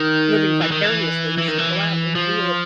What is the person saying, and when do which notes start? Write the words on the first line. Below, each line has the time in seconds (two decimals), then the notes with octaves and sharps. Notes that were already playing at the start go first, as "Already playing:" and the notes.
living vicariously. You should go out and do it,
Already playing: D#3
0.61 E3
0.71 D#3
0.83 E3
1.38 E3
1.48 D#3
1.58 E3
2.15 F3